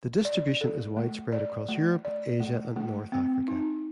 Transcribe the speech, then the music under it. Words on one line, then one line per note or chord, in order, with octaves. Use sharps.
The distribution is widespread across Europe, Asia and North Africa.
D5
A4
A3
D5
A3
D5
A3
A3
C4
D#4